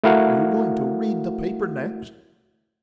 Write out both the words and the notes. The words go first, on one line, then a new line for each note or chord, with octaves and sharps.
"Are you going to read the paper next?"
A3 E4 F#4 A#4 F5 F#5